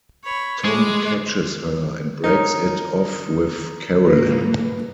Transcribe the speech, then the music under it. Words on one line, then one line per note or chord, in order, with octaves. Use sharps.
Tom catches her and breaks it off with Carolyn.
C#5 B5
G#3 D6
D#4 A#4 C#5
G#2 A#3 B4